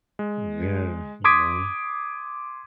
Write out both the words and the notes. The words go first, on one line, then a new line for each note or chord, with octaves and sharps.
Yeah, you know,
G#3
C6 D6 D#6 G#6 B6 D7